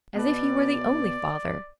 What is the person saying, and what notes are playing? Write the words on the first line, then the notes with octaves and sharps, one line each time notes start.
"As if he were the only father."
B2 B4 D5